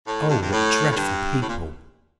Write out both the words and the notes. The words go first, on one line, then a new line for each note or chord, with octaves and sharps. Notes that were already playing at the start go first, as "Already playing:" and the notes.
Oh, what dreadful people!
A2
G2
G2
A2
A2
G2
A2
A#2